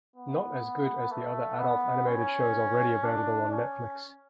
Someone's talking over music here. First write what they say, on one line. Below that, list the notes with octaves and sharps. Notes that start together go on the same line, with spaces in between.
Not as good as the other adult animated shows already available on Netflix.
B3
A3
B3
C#4
D4
C#4